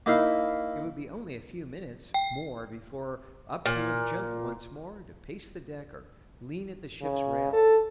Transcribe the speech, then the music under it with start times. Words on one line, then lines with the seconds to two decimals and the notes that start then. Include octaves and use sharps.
It would be only a few minutes more before up he would jump once more to pace the deck or lean at the ship's rail.
0.06 A#3 D#4 E4 F5
2.14 G5
3.66 A#2
7.01 C#3
7.53 A4